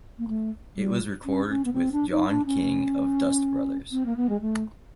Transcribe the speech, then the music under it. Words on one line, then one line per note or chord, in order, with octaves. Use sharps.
It was recorded with John King of Dust Brothers.
A#3
A3
G3
C#4
D4
C#4
B3
C4
D4
D#4
D4
C#4
C4
A#3
B3
G#3
A3